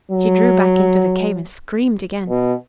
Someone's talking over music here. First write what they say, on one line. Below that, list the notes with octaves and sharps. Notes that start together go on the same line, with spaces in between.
She drew back into the cave and screamed again.
F#3
B2